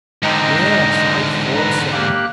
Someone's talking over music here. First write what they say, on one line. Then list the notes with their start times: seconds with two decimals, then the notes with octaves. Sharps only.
Yes, I thought so.
0.23 G#2 D3 D#5 G5 A#5
1.54 B4 A#5
1.92 A#3 G4 F#6